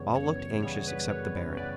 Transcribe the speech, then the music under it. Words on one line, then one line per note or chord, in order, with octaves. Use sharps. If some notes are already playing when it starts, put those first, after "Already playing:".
All looked anxious except the baron.
Already playing: F#2 C#3 E3 G3 B3 C#5
F#2 C#5
C#5
C#3 E3 G3 B3 C#5
B4
F#2 C#5
C#3 E3 G3 B3 B4 D5